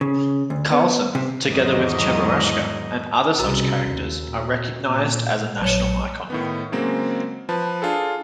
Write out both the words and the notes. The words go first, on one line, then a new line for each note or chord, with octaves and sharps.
Karlsson, together with Cheburashka and other such characters, are recognized as a national icon.
C#3
D2
B3
C3
E2 G#2 D3 D#3 F#3 D#5
C2 C#3 F#4 A#5 E6
D#2
A#2
A#1 F#3 C#5 C#7
A2 D#3 B3
C#3 F#3 G#3 A#3 C4
F3 B4 A5
D4 F4 G#4 A4